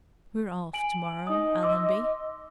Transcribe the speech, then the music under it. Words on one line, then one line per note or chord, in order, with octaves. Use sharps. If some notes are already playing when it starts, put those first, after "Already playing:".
"We're off to-morrow, Allenby."
G#5 D7 F#7
D#4 D#5 D#6
C6 D6 E6